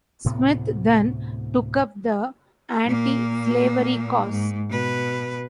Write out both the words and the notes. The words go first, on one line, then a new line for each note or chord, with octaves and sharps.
Smith then took up the anti-slavery cause.
D2 A2 C3 B3
A#2 A#3
G#2
B2 B4